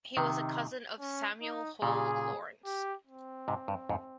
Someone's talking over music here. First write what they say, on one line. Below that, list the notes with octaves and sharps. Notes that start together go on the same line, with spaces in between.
He was the cousin of Samuel Hill Lawrence.
C3 D#3 D#4
C#4
D#4
A#2 C#3 G#4
G4
C4
G#2 C3
G2
F2 G#2